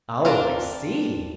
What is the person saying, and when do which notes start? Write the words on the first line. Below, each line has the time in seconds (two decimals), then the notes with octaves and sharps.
"Oh, I see."
0.25 C4 D4 F4 A#4